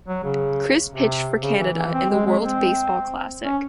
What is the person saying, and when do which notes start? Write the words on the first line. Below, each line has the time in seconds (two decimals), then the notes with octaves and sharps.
Chris pitched for Canada in the World Baseball Classic.
0.08 F#3
0.24 C#3
0.92 C3
1.42 C#3
1.60 E3
1.77 E3
1.93 C4
2.10 G#3
2.26 G#3
2.44 C4
3.45 C#4